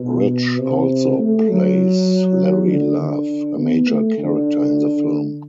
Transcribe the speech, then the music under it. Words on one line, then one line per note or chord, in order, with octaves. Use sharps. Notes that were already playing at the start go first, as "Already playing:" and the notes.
Rich also plays Larry Love, a major character in the film.
Already playing: B2
C3
A3
F#3
D3
D3
B3
A3
D3